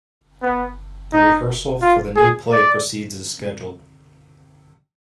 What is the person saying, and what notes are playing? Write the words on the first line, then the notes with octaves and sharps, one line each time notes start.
The rehearsal for the new play proceeds as scheduled.
B3
D#4
F4
G#4
D5